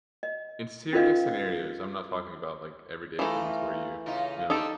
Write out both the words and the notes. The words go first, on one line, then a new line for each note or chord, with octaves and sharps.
in serious scenarios, I'm not talking about, like, everyday things where you, you know,
D#5
C#4 F4 A4 B4 D#5 F5
E3 A3 D#4 F4
C#3 D#4 F4
C4 D4 D#4 G4 A4